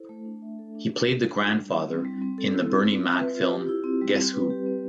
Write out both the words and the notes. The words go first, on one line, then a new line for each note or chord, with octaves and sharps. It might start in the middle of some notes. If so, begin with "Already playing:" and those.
He played the grandfather in the Bernie Mac film "Guess Who".
Already playing: E4 A4 C5
A3
D4
E5
A4
D4
D4
A4
F4
D4
G3
E4
C4
G3
C4
A4
E4
C4
F4
E5
B4
F4
G4
E4
C4
G3
C4
B4
G4
C4